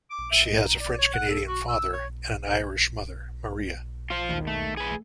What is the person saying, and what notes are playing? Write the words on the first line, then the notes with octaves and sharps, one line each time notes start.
She has a French-Canadian father and an Irish mother, Maria.
D6
E5
D#5
D#4
D5
C#5
F#5
A4
F#4
E6
C#5
F4 C5
E1 D#2
A3
G#4 B4
A3